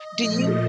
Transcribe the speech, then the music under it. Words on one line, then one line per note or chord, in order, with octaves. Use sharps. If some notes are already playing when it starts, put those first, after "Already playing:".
Do you
Already playing: D#5
A#2 F3 A3